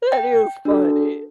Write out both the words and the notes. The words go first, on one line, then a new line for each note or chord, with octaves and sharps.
That is funny.
G5
D4 F#4 A4